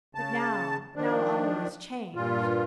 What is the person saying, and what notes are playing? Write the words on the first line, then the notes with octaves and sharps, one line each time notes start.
But now, now all was changed.
C#3 A5
D#3 F3 D4
G2 A#2 F4